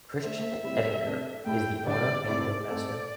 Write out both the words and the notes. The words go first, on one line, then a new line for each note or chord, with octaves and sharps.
Christian Ettinger is the owner and brewmaster.
A3 D4 C5 E5
C3 G3 E4 C5
C3 A3 D4 A4
A2 A3 E4 G4 G5
D3 G3 D4 D5
C3 A3 E4 C5 D5
A3 C4 A4 C5 D5